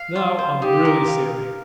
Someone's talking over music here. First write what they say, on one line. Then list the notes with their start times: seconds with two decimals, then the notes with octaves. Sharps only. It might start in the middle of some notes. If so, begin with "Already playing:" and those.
Now I'm really sailing.
Already playing: F5
0.16 F4
0.38 C5
0.62 D#4 G4
0.85 A#4
1.07 F5